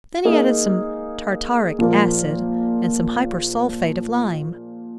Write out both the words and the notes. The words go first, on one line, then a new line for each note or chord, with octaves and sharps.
Then he added some tartaric acid and some hypersulphate of lime.
A#3 D#4 G#4
A#2 F3 A#3